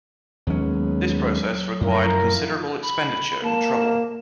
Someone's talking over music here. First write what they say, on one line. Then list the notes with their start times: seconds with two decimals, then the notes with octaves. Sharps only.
This process required considerable expenditure and trouble.
0.47 D#2 F#3 G#3 B3 C#4
1.81 F#2 F3 E4 F4 A#4
2.82 B5
3.43 A#3 A5